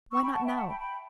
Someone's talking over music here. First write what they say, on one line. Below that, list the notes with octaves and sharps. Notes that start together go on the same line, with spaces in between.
Why not now?
C#6 E6
G5 B5
F#5 A5
E5 G5
F#5 A5
G5 B5
G5 B5